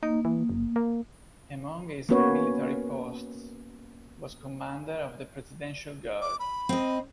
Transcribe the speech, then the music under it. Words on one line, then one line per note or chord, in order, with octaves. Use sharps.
Among his military posts was Commander of the Presidential Guard.
A#3 D#4
E3
F#1
A#3
A#3 B3 C#4 F#4 B4 C#5
D6
B5
C4 D#5